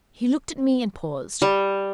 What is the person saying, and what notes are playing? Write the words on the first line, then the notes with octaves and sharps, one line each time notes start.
He looked at me and paused.
G3